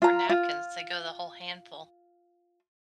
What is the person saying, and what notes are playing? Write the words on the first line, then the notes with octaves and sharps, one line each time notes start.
Or napkins, they go the whole handful.
F4 A#5
F4